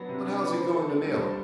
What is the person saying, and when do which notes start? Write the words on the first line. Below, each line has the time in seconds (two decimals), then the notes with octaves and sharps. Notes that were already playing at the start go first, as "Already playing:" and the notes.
'But how's he going to nail him?
Already playing: F#3 B3 D4
0.09 C3
0.26 D4
0.41 B3
0.57 C5
0.73 A4
0.89 D4
1.06 G3
1.22 C5